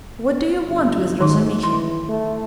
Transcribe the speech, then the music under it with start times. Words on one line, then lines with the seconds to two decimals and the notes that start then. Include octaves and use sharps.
What do you want with Razumihin?
0.66 G1
1.21 G#2 D#3 D#4
1.63 E3 C6
2.09 A3